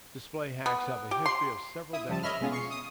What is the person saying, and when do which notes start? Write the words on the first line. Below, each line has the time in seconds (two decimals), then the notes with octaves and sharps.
Display hacks have a history of several decades.
0.66 B3
1.11 G4
1.26 C6
1.93 E4 E5 D#6
2.08 C#3 F3 G3 A5
2.23 C#5 D#5 E5 B5 F6
2.41 B2 G#3 B3 C#4 F4 G#4
2.52 C#6 C7
2.71 D#6